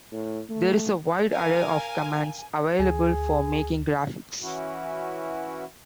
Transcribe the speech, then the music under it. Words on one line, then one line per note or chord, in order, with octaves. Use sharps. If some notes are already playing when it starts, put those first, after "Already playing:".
There is a wide array of commands available for making graphics.
A2
A3
A#4 F5 G#5
D2 G#4
E3 C#4 E4 F#4